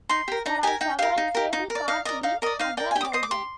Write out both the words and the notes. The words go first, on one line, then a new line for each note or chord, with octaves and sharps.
There are several cable cars in Azerbaijan.
D#4 C6
G4 A#4
D#4 A#5
G4 A#4 G#5
D#4 G5
G4 A#4 F5
D#4
G4 A#4
D#4
A#4
D5
D#4 F5
A#4 D5 D#5
D#4 F5
A#4 D5 D#5
D#4 F5
A#4 D5 G5
G#5
G4 G5
D#6
D6
C5 D#5 D#6
D6
G4 C6